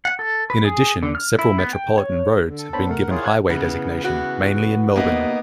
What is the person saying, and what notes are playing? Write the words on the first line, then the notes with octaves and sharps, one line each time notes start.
In addition, several metropolitan roads have been given highway designation, mainly in Melbourne.
F#5
A4
B4
G#4
D3
F6
E4
B3
G5
C#5
D3
A4
B3 D4 C5 C#5 A5 B5
C3 A3 A#4 F#5
E4 F4 G#4 C#5
C#5 F5 F#6 G#6
C#3 E3 B3
E3 B3 F#4
C3 A#3 B3 D#4